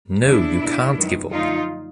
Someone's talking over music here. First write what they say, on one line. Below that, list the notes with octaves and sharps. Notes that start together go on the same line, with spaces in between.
No, you can’t give up.
E2 C#3 F3 G#3 D4 E4
B2 G3 A#3
F#2 D#3 G#3 B3
F#2 D3 F3 A3 D#4 F4